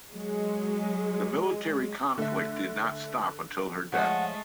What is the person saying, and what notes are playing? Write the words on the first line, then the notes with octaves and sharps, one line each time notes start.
The military conflict did not stop until her death.
F#3 G#3
D3 A3 E5
F3 G#3 A3 C#5 F#5